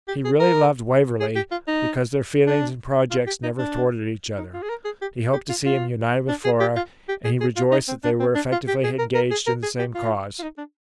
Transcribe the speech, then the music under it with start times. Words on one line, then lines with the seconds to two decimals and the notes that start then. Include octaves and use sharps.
He really loved Waverley, because their feelings and projects never thwarted each other; he hoped to see him united with Flora, and he rejoiced that they were effectually engaged in the same cause.
0.08 G4
0.25 G#4
0.40 A#4
1.20 G#4
1.36 G4
1.51 F4
1.68 D#4
2.47 D4
3.11 F4
3.27 G4
3.43 D#4
3.59 D4
4.38 D#4
4.54 F4
4.62 G#4
4.69 A#4
4.85 G#4
5.01 G4
5.33 G4
5.49 F4
5.66 F4
6.29 D4
6.45 G#4
6.60 G4
6.76 F4
7.09 G4
7.25 G#4
7.41 G#4
7.56 F4
7.72 D#4
7.88 C4
8.04 D4
8.20 C4
8.35 D4
8.52 F4
8.68 G4
8.84 G#4
8.99 A#4
9.15 A#4
9.31 G#4
9.47 A#4
9.63 G#4
9.79 G4
9.95 F4
10.39 F4
10.43 D#4
10.58 D4